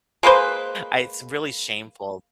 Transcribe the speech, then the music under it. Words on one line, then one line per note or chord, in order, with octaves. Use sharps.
I it's really shameful
G#3 A#3 B4 C5